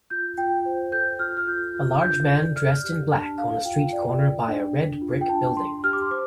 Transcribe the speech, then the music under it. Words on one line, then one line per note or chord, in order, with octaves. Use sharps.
A large man dressed in black on a street corner by a red brick building.
F4 G6
F4 G5
C5
A4 G6
F4 F6
F6
F4 G6
F4
D4 G6
D5
D5 F6
G4
D4 A5
A4 F5
F4 G5
D5
A4
D4
D4
F4
G5
D4 A5
D4 C6
G4 F6
D6
C6
C5 D6